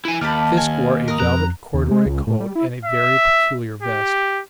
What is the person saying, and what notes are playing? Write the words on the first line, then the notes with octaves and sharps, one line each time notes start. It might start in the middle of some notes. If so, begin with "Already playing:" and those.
Fisk wore a velvet corduroy coat and a very peculiar vest.
E4 G#5
D#2 G4 A5 B5 F6
G#5
A#4 B4 D#5
F2 A#5 F#6
D#2
G#3
C#2
A2
G3
E4
E5
G4